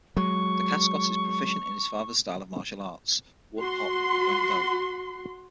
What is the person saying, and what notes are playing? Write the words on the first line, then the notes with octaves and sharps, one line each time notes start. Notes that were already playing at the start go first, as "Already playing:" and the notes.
Dacascos is proficient in his father's style of martial arts, Wun Hop Kuen Do.
F#3 G#3 C#6
F#4 C6